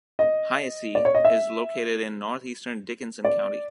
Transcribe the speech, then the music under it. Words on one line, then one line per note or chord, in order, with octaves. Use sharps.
Haysi is located in northeastern Dickenson County.
D#5
D5
C#5
D#5
E5
D5